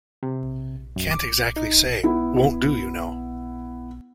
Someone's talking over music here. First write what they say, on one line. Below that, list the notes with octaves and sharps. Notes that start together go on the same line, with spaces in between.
"Can't exactly say" won't do, you know.
C3
F#2
D6
D#4
B3 E4